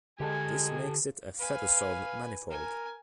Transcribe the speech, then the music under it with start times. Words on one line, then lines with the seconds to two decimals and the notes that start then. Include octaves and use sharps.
This makes it a Fedosov manifold.
0.20 D3 G#3 G4 A4 G#5
1.39 B4 F5 G#5
2.50 A#4 G#5